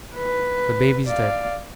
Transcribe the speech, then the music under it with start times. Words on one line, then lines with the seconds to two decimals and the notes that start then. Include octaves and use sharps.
The baby's dead.'
0.16 B4
1.07 D5 F5